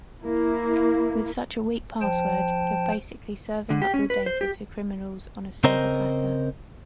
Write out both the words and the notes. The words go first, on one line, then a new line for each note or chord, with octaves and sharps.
With such a weak password, you’re basically serving up your data to criminals on a silver platter.
A#3 E4
F3 C5 G5 A5
D3
G4
C#4
B4
C5
G4
C#3 C4 A#4 C5 D#5